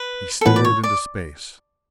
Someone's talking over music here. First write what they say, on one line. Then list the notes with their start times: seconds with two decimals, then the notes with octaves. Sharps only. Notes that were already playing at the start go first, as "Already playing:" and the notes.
He stared into space.
Already playing: B4
0.41 A4
0.45 A2 E3 B3 B4
0.56 D5
0.65 C#5
0.83 D5